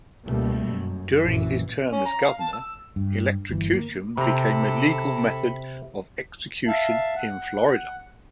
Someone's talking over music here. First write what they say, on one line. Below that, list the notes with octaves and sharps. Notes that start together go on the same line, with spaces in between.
During his term as governor electrocution became a legal method of execution in Florida.
C#2 B2 G3 A3 A#3
F#2
A#1 F#2 E3
C#4
A#5
F5
A5
E6
G2
G1 E3
A#3
C3 A4 A#5 B5
E5 F5 A5
F#5